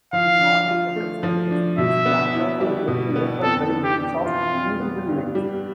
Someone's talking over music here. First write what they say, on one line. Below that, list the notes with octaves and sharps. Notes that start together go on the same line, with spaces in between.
In normal circumstances, these dampers are held open by means of fusible links.
F3 F5
D4
F4
A3
F3
D4
B2 E5
B3
E4
G3
B2
B3
F2 A4
B3
G4
D4
E3 F4
F2
B3
G2
G3